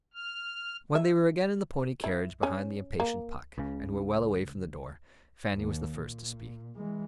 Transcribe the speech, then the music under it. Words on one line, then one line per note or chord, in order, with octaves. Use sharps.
When they were again in the pony-carriage, behind the impatient Puck, and were well away from the door, Fanny was the first to speak.
F6
E5
E4
C#4
A#3
C#2 C#3
D#2
A#2
E3 G#3